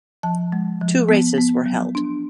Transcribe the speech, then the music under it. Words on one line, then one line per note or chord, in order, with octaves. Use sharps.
Two races were held.
F3 A5
G#3
F3
B3
B3
F#3
D4